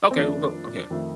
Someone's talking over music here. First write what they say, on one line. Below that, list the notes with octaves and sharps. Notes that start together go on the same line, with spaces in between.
okay, we'll go, okay,
C4
F2 D#3 A3 D4
F2 D#3 A3